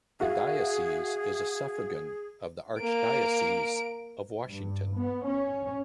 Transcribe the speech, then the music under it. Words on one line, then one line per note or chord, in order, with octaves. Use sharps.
The diocese is a suffragan of the Archdiocese of Washington.
F#4 G#4 E5 F5
A#3 D7
G2
B3
C#4